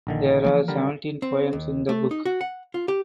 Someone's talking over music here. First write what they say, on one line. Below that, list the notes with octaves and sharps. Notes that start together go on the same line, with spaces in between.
There are seventeen "poems" in the book.
A#1 D3 D#3
E3 F3 A#3
D3 G3 A#4
C4
D#2
A3
D#4
F#4
F#5
F4
G4